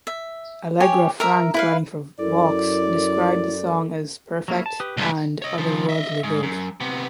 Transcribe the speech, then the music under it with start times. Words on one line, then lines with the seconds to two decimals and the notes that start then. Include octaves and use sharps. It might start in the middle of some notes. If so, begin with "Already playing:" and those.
Allegra Frank writing for "Vox" described the song as "perfect" and "otherworldly good".
0.07 E5
0.80 G4 C#5 G#5
1.20 A#4 E5 A#5
1.54 E4 B4 F5
2.19 F#2 E4 A4 A#4 D5
4.48 F#3 A#3 E4
4.66 A5
4.80 G4 B4 D#6
4.97 C#2 G2 A3 F4 E5
5.42 C#5 D#5
5.58 C#3 F3
5.89 D#5 E5
6.23 G#2
6.43 F#2
6.80 C3 B3